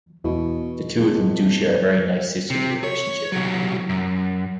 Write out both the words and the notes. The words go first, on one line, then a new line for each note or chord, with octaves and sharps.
The two of them do share a very nice sisterly relationship.
E2 B2 E4
G#1 G#3
C3
C#5
C2 F#3
F#2